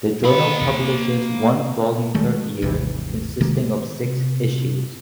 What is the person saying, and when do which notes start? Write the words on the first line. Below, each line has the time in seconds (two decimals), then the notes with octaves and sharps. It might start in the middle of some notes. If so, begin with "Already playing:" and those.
The journal publishes one volume per year, consisting of six issues.
0.24 A#3 B5
2.14 D#3 G#3 A3
2.62 G#1 D#2 C3 E3
3.41 C3 D#3 G#3 A#3
4.04 C3